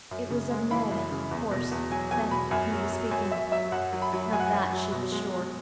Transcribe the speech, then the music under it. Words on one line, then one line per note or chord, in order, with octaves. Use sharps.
It was of Ned, of course, that he was speaking. Of that she was sure.
F#2
C#3
G#3
E3 B5
F#2
C#3
E2
B2
E2
F#3 G#5
E2 G#5
B2 B5
F#2 G#5
F#3
F#3
F#2 G#5
F#2 E5
F#3 E5
F#2 F#5
F#3
B5
F#3
F#2 G#5
F#5
G#5
F#2
F#3
B2
G#3
G#3